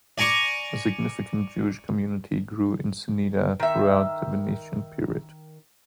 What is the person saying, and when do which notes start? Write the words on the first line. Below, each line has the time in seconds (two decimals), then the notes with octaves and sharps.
A significant Jewish community grew in Ceneda throughout the Venetian period.
0.18 D5 G#5 A#5 C#6 D6
3.60 D#3 E5